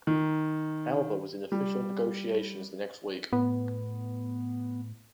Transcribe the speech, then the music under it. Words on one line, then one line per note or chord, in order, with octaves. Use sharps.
Elba was in official negotiations the next week.
D#3
G3
A2 B3